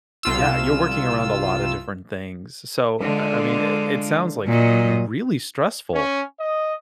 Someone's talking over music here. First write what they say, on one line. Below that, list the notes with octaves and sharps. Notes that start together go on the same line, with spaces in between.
Yeah, you're working around a lotta different things, s so, uh, I mean, i it sounds, like, really stressful,
C2 F4 E6
D3 G#3 F4
A#2 F#3 D#5
C#4
D#5